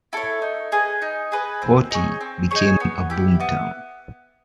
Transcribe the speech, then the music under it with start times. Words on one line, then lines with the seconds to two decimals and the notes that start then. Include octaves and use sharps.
"Portie" became a boom town.
0.13 E4 A4 C#5
0.42 D#4
0.72 G#4 B4 D#5
1.02 D#4
1.32 G#4 B4 D#5
1.62 C4
1.91 D#4 G#4 C#5
2.21 C4
2.51 D#4 G#4 C#5
2.80 B3
3.10 E4 G4
3.40 B3